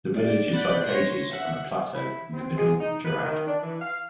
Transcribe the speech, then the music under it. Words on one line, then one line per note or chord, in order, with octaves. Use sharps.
The village is located on a plateau in the middle Jorat.
D5
D5 F#5 B5 F#6 G6 A6
C#5 C6 A#6
E5 F#5
E4
C4
G#3
D#4
B4
D#3
D4
E3
F5